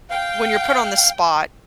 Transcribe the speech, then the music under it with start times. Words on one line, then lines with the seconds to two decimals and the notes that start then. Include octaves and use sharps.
When you're put on the spot
0.10 F5 G5